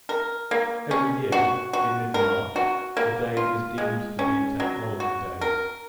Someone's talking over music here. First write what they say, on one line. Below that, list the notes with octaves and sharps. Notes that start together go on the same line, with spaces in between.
Every year, in mid March, a day is deemed to be Technology Day.
A#4
A#3
C#4
F#4
F#4
A#4
F#4
A#3
F4
G#3
C#4
F#3
F#4
A#4